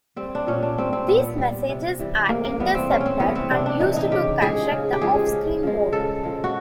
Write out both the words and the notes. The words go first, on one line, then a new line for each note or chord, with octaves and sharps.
These messages are intercepted and used to construct the off-screen model.
G3 C4
D4
A#2 C#4
D4
G3 C4
C4
A#2 B3
G3
C3
E3 G3
C3 A#3
A#3
E3 G3 B3
C4
C3 C#4
C#4
C4
E3 G3 B3
C4
C3 D4
D4
E3 G3 D#4
D#4
C#3 G4
F3 G#3 G#4
C#3
G4
F3 G#3 G#4
C#3
F3 G#3
C#3 A4
F3 G#3
F#4